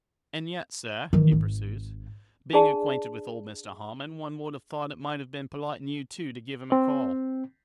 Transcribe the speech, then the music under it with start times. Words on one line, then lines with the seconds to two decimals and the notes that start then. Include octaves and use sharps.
'And yet, sir,' he pursues, 'being acquainted with old Mr Harmon, one would have thought it might have been polite in you, too, to give him a call.
1.13 D#3 E3
1.32 G#1
2.53 D4 G#4 D5 A5
6.72 C4